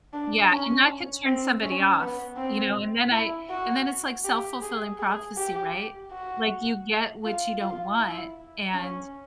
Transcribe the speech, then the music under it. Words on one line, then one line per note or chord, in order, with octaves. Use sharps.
Yeah, and that could turn somebody off, you know, and then I and then it's like self-fulfilling prophecy, right? Like, you get what you don't want, and
D4
C#4
C4
C#4
B3
C4
E4
F#4
G4
G#4
G#4
G4
F#4
F4
F4
E4
C#4